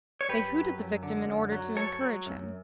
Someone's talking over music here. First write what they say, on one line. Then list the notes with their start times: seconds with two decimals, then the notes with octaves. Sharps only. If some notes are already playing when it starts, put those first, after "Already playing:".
They hoot at the victim in order to encourage him.
0.21 C#5
0.29 F#2 G4 B4
0.54 F#3
0.78 F#2
1.03 D3
1.28 F#2
1.52 F#3
1.77 F#2 A4 C#5
2.01 F#3
2.26 F#2